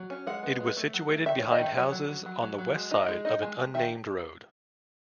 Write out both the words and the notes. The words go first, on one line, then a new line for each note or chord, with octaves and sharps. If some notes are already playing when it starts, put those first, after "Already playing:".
It was situated behind houses on the west side of an unnamed road.
Already playing: F#3
C#4
G#3 F#5
B3
G#3
A3
F#3
A3
D#3 E5
C#5
D#3
D#5
D#3 E5
F#3 C#5
F#3
F#3
F#3
F#3
F#3
G#3
D#4
G#3
D#4 D#5
G#3
G#3
D#3 E5